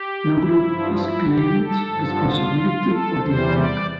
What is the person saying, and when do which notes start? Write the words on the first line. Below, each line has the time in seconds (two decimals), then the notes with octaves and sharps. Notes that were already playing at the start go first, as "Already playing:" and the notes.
No group has claimed responsibility for the attack.
Already playing: G4
0.27 E4
0.59 G2 F3
0.92 E4
1.24 G4
1.57 A4
1.89 G2 D3 F3
2.22 F4
2.87 A4
3.19 E2 C3 E3 G3 C5
3.53 D5